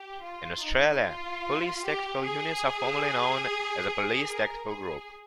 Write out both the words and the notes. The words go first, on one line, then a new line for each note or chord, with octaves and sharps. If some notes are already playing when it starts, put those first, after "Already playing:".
In Australia, police tactical units are formally known as a police tactical group.
Already playing: G4
F4
D#4
F4
G4
G#4
A#4
G#4